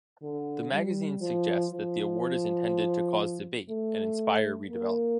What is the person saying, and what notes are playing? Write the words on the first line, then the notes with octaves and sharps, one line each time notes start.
The magazine suggests that the award is intended to cause debate and inspire redevelopment.
D3
G3
F3
F3
A3
A#3